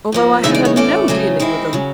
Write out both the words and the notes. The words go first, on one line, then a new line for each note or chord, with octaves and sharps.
Although I have had no dealing with them.
G#2 F3 A#3
C#3 E3 G#3 B3 D#4 E5
D5
C#5
A2 E3 A3 C#4 D5
F2 C#3 F#3 A3 C#4
D#3 G#3 C4 E4
C#3 F#3